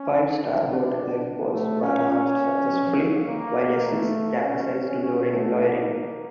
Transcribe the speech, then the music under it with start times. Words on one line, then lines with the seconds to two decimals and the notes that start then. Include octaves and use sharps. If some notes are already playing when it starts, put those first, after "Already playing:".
Five starboard lifeboats were launched successfully, while a sixth capsized during lowering.
Already playing: C#4
0.36 D4
1.52 A3
1.82 C#4
2.11 C#4
3.27 A#3
3.85 A3
4.43 C#4
5.02 C#4
5.31 A3
5.60 A#3